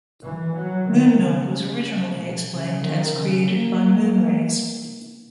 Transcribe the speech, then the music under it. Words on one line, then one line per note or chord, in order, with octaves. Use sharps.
Moonmilk was originally explained as created by "moon rays".
E3
F#3
D#3
C#3
C#3
B2
C#3
D#3
C#3
A#3